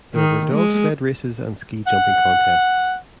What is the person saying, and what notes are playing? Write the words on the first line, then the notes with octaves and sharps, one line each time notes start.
There were dog sled races and ski jumping contests.
D#3
G#3
F#5